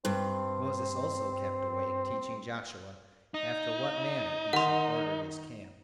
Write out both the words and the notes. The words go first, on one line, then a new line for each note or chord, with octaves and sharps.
Moses also kept awake, teaching Joshua after what manner he should order his camp.
G2 C4
D#4
D#3 F#5 C6